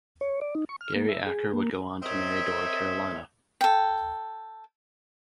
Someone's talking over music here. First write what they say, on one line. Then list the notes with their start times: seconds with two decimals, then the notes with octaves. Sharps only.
Gary Acker would go on to marry Dora Carolina.
0.21 C#5
0.41 D5
0.55 D#4
0.69 C#6
0.81 F6
0.95 A#3
1.09 E5
1.26 G#4
1.54 A#3
2.03 C4 A#4 C#5 D#5 E5
3.61 A4 G5